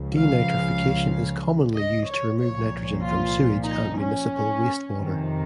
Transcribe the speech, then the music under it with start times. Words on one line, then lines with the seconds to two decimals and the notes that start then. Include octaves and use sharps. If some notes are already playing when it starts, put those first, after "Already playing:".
Denitrification is commonly used to remove nitrogen from sewage and municipal wastewater.
Already playing: C#2 C#3 F3
0.15 F5
1.75 D#5
2.07 C#5
2.39 C2 A#2 F3 C#5
3.03 F4
3.66 D#4
3.98 C#4
4.94 F2 C3 D#3